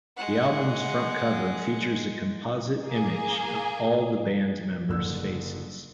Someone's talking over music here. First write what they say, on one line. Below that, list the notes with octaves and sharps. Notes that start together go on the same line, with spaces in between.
The album's front cover features a composite image of all the band members' faces.
G#3 F#5
A#3 G#4
F#1 D3 E6